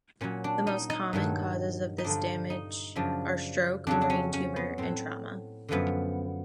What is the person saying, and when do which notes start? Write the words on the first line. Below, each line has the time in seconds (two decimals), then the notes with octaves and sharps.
The most common causes of this damage are stroke, brain tumor, and trauma.
0.21 A#2 F#3 C#4
0.44 D4
0.67 D#4
0.90 D#4
1.13 G2 D#3 F#3
1.98 D#4
2.04 G2 D3 F3 D4
2.50 D#4
2.95 F#2 C#3 F3 D4
3.87 F2 C#3 F#3 D4
4.02 D4
4.10 C#4
4.33 C#4
4.56 B3
4.78 A2 F#3 C4
5.68 F#2 D3 F3 B3